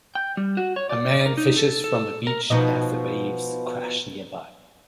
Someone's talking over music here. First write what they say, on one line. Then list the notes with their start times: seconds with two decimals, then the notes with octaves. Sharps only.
A man fishes from a beach as the waves crash nearby.
0.15 G5
0.37 G3
0.57 F#4
0.76 C#5
0.89 D5
1.26 A#4
1.37 D#4
1.56 A4
1.84 A4
2.27 A#4
2.50 B2 F3 D#4